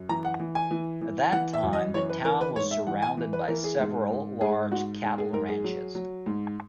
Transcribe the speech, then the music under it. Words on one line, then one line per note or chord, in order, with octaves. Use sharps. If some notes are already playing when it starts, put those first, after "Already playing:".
At that time the town was surrounded by several large cattle ranches.
Already playing: F#2
E3 A#5
F#5
E3
G#5
E3
E3
E3 F#5
E5
F#2
D#5
E3 C#5
B4
E3 A#4
B4
G#2 C#5
E5
E3 F#5
G#5
E3
B4
E3 A#4
G#4
G#2
G#2
G#2 G#4
G#2 F#4
G#2
G#4
G#2 A#4
G#4
F#3
F#3
G#2